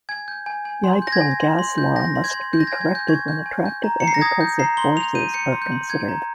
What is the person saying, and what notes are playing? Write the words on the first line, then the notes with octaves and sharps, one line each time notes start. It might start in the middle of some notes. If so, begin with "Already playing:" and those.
The ideal gas law must be corrected when attractive and repulsive forces are considered.
G#5 G#6
G6
G#5
G#5
C6
G6
A#6
G#6
G#5
C6
C6
G6
G6 A#6
C6
G#6
C6
G6
A#6
G#5 G#6
G#6
G#5 G6
C#6 G#6
G6
G#5
G6
A#5
A#5 C#7
C7
A#6
D#6 G#6
G6
A#5 C7
C6 G7
C6 F7
G6 D#7
G6 C#7
C6
G6
C6
G6 G#6
A#5